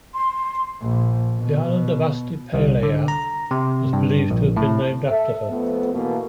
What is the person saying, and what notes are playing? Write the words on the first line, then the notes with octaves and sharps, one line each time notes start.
The island of Astypalaia was believed to have been named after her.
C6
A#1
B2
C2
D3
A#5
C3
G2
A#1
A2
A4 E5
F2 A3 B3
B2 E3 A3 A#3